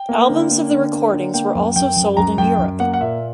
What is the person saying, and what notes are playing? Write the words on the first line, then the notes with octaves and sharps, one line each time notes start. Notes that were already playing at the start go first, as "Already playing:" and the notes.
Albums of the recordings were also sold in Europe.
Already playing: G5
A#3
D3
A#3
D3
A#3
D3
A#3 G5
F#2
F#2 G5
F#2
F#2 A#5
F#2 G5
F#2
A#3 F#5
F#5
A#2 E5